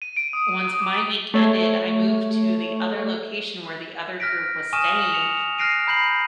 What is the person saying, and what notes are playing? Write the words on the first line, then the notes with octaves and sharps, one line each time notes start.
once my week ended, I moved to the other location where the other group was staying,
D#7
D7
D#6
D#6
D6
A3 C#5
F6 F#6 A#6 B6 D7
G#5 C#6 D#6 F6 D#7 E7
C#7 F7
F6 F#6 A#6 C7 D7 D#7
A#5 B5 G6 C7 F#7